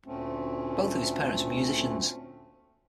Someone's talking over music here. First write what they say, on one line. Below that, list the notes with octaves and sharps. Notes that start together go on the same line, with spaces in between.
Both of his parents were musicians.
D2 A#2 A3 C4 C#4